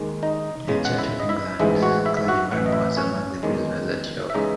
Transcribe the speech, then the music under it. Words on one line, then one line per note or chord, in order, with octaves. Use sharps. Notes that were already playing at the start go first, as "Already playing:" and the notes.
A Church of England clergyman was among the prisoners at York.
Already playing: D#2 D#3 G#3
D#4 D#5
E2 C#3 G#3
F#5
E4 E5
D#5
E4 E5
A1 G#2 E3 G#3 E4 E5
F#4 F#5
E4 E5
E5
F#4 F#5
A1 A2 E3 F#5
E5
D#5
E4 E5
C#4 C#5
E2 D#3 G#3
E5
C#3 E3 G#3 D#4 D#5